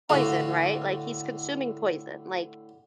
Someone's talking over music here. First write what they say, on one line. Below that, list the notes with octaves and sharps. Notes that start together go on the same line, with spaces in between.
poison, right? Like, he's consuming poison. Like,
A2 D3 F#4 F5